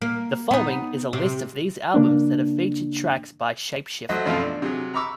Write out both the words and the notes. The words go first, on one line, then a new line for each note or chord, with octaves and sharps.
The following is a list of these albums that have featured tracks by Shapeshifter.
A#3
B3 D#4
C3
C#3 A#3 D4
F#3 A3 F#4 C5 D#5 E5
F#2 B2 F3 A3 C4 F5
D4
C3 F#3 G#4
A#5 B5 C#6 D6 E6